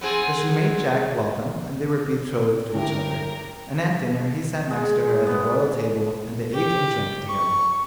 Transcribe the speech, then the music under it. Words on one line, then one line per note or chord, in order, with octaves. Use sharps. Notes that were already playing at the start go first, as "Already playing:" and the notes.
So she made Jack welcome and they were betrothed to each other, and at dinner he sat next her at the royal table, and they ate and drank together.
B3 C4 G#4
D3 C#4 E4 G4 A#4 G5
G#3
B3
G4
C#6